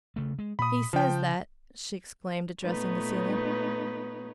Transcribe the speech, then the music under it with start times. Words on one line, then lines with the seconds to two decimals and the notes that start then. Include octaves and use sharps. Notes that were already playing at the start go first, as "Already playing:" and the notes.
"He says that!" she exclaimed, addressing the ceiling.
0.16 C#3 A3
0.39 G#3
0.59 A#2 B5 D#6
0.93 C#3 F3 G5
2.63 A#2 A3 B3 D#4 B4 C#5